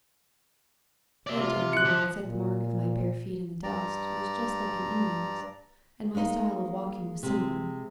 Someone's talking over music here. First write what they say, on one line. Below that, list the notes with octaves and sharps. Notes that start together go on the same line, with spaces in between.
Red Jacket said the mark of my bare feet in the dust was just like an Indian's and my style of walking was similar.
C3 D5 E5
F4
F#6 C#7
F3
A#2
G2 D5 A#5
G#3 A#3 C#4 D#4
C3 G#3